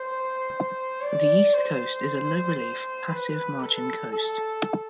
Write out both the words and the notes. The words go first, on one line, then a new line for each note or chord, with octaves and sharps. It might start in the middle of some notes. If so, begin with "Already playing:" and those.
The East Coast is a low-relief, passive margin coast.
Already playing: C5
D5
C5
B4
A4
A4